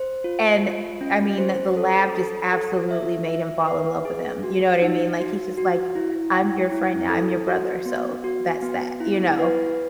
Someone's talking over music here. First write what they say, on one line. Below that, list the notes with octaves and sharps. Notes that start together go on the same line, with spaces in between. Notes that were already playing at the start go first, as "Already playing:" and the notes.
And, I mean, the lab just absolutely made him fall in love with him. You know what I mean? Like, he's just, like, "I'm your friend, I'm your brother." So, that's that, you know?
Already playing: C5
F4
F4
C#4
C5
A4
A4
A4
E5
E5
B4
G#4
F#4
D#4
F#4
F#4
E4
G5
E4
A4
F#4
B3
F#4
B3
E4
B4